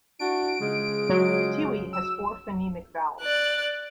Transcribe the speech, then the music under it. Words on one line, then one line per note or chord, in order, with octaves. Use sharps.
Tiwi has four phonemic vowels.
D4 E4 F#4 D7
C#3 F3 G#3
F#3
E6
D5 F#6